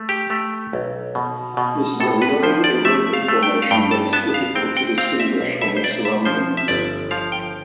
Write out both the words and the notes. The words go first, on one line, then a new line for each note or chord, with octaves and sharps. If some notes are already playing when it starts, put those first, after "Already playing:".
This is a low, eroded formation that is difficult to distinguish from its surroundings.
Already playing: A3
G4
A3
B1
B2
B2
A2 A4
B4
F3 C5
D5
A3 E5
F5
A3
G5
F5
G2 G5
A5
B3 A5
F5
C4 G5
G5
C4 F5
E5
B1
E5
C5
B1 D5
E5
F3 C5
E5
G1 D5
F3 F5
G5